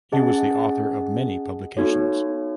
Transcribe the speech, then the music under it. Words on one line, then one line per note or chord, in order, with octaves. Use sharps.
He was the author of many publications.
C#4 G#4 D#5 F#5 A5
B3 D#4 F#4 A4 C#5